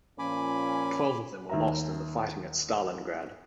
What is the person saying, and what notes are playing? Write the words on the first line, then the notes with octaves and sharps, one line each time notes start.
Twelve of them were lost in the fighting at Stalingrad.
A#2 F3 C#4 G#5 B5 D6
D#2 E5 A#5